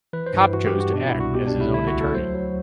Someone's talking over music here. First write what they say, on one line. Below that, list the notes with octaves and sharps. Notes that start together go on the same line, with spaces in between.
Kopp chose to act as his own attorney.
E3 B4
C5
G2
E4
E3 F#4
G4
G2
F#4
B2 D4
E4
C2
F#4
B2 G4
D4
C2
E4
D3 E4
F#4
D2
A4
F#3 C5
F#3